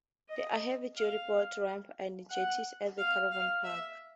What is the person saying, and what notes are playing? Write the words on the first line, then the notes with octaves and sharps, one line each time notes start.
There are heavy-duty boat ramps and jetties at the caravan park.
D#5
F5
F#5
F5
F5
E5